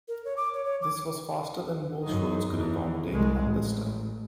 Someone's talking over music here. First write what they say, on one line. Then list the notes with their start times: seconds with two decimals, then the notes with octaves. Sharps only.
This was faster than most roads could accommodate at this time.
0.08 A#4
0.25 C#5
0.37 D6
0.54 C#5
0.65 C#5
0.82 D6
2.03 F#2 D#4
2.54 E2
3.09 C2 G#3
3.44 A1